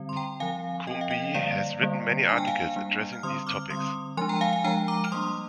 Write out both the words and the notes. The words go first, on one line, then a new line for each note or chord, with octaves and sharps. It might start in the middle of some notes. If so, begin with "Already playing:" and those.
Coombe has written many articles addressing these topics.
Already playing: D3 G3 C4
C6
G5 A#5
F3 C4 F5 G#5
F3 C4 D#5 G5
F5
D#5 G5
D3 G3 A#3 D5 F5
D3 G3 A#3
G3 A#3 D4 G#5
G5
F5 G#5
G3 A#3 D4
F6
D3 G3 C4 C6 D#6
D6 F6
D3 G3 C4 C6 D#6
F3 G#3 D4 G#5 C6
G5 A#5
F5 G#5
F5 G#5
F3 G#3 D4 G5 A#5
A#5 D6
F6
G3 A#3 D4 C6 D#6